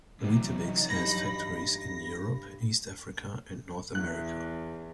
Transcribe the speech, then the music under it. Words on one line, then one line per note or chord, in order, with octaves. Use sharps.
Weetabix has factories in Europe, East Africa and North America.
D2 C3 E3 F#3 D#4
G2 B5 A#6
E2 F#6